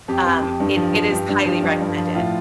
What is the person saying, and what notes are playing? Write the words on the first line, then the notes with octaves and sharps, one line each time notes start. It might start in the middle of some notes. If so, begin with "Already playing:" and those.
Um, it it is highly recommended.
F2 G4
F2
F2
G2
F3
F3
G2 G4
G2
F3
G2
G2
F3
A2 F4